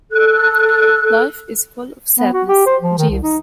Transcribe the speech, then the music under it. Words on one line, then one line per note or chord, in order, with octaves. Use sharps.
Life is full of sadness, Jeeves.
A4 F#6
B3
F#4
G4
C5
F3
D#3
C2
D#4